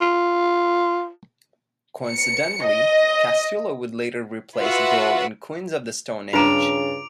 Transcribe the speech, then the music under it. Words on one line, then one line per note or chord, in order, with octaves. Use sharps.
Coincidentally, Castillo would later replace Grohl in Queens of the Stone Age.
F4
C#7
D#5
F4 F#4 B4 E5 F#5
G2 C#3 F4 B4 A#5 D6 D7 F7